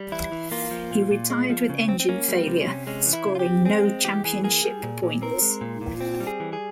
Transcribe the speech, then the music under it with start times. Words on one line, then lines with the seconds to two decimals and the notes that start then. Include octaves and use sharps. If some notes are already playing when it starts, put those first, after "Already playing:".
He retired with engine failure, scoring no championship points.
Already playing: G3
0.12 E3 E4
0.32 E3
0.51 A#3 F4
0.71 F3
0.91 A#2
1.11 A#2
1.30 G#3
1.50 F3
1.69 C#3
1.89 C4
2.00 C4
2.09 A#3 C#4
2.28 G3
2.35 C4
2.47 C3
2.61 C#4
2.67 C3
2.87 G#3 C#4
3.06 E3
3.13 E4
3.26 C#3
3.35 F4
3.39 G4
3.46 C4
3.65 C4 G#4
3.85 G#3
4.05 E3 G4
4.24 E3 G#4
4.44 A#3 G#4
4.63 G3
4.83 A#2
5.03 A#2
5.22 C4 A#4
5.42 G#3
5.61 A#2
5.81 A#2
6.01 C4
6.20 G3
6.27 G#4
6.40 E3
6.53 G#4